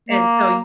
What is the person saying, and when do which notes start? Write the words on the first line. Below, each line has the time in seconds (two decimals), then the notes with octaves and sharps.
and so,
0.09 A#3